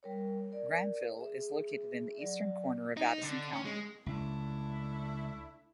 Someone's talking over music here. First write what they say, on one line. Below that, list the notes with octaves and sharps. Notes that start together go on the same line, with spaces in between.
Granville is located in the eastern corner of Addison County.
G3 A#4 C#5
A#4 D5
G#4 E5
F#3 D5
D#4
D3
C#4
G#3
C#2 A3 D4 E4